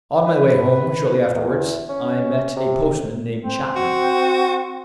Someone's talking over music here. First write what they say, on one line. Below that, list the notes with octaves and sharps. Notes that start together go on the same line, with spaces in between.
On my way home shortly afterwards I met a postman named Chapman.
B4
E2
C#4
C3
C4
F#4